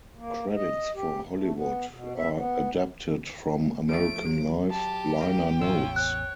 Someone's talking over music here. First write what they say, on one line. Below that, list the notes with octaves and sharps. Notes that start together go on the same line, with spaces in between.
Credits for "Hollywood" are adapted from "American Life" liner notes.
A#3
D#5
G4
A3
B3
B2
E5
B3
F3 A3 D7
F#3
G4 A5
A#3 G5
A1 E2 C#4 F4 E6
C#5 F#6